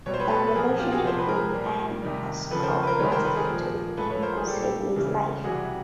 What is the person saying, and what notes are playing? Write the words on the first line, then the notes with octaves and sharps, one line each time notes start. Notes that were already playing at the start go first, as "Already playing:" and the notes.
The relationship with Ann Ayscough lasted to the end of Sedley's life.
B2 G3 C#5
C5
B4 C#5
A4 B4
B4
A#2 F3 G#4 A#4
F4 G4
F#4 G#4
C3 F3 C5
B4
G#4 A#4
A#2 G3
C3 D#3 G3
C#3 F3 A4 B4
A#4 C5
B4
A#4 C5
C3 D#3 G3 B4 C#5
A#4 C5
A4 B4
G#4 A#4
A#2 F3
A2 F3 A4 B4
B4 C#5
A#4 C5
G#4
A#2 G3 G4 A4
C#3 E3 G3
C3 E3 G3 F#4 G#4